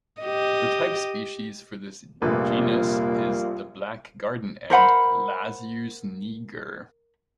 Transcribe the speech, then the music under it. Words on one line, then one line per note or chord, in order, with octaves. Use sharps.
The type species for this genus is the black garden ant, "Lasius niger".
G4 D#5
F1 A#1 A#2 G3 A3 A#3 F4 B4
A#4 C5 F#5 B5